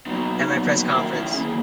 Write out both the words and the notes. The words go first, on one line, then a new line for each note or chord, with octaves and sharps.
At my press conference.
A#2 F#3 B3 D#4 F#4
A#2 F#3 B3
F#2 D#3 A#3 E4
F#4
C#4 E4
F#2 D#3 A#3 E4 G#4